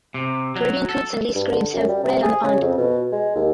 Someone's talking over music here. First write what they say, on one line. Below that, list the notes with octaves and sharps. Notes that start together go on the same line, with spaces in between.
Caribbean coots and least grebes have bred on the pond.
C3
F#3
A4
G2
D3
F#2
G3
C3
G#4
C#3
F2
B2
G#3
D#2